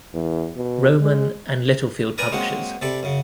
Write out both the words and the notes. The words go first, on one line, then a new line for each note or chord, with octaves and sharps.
Rowman and Littlefield Publishers.
E2
B2
G#3
A#4 B4 D5 G#5 A#5 B5
F#3 G#3 A#3 C4 F#4
C3 A4 D5 B5
F#2 C#3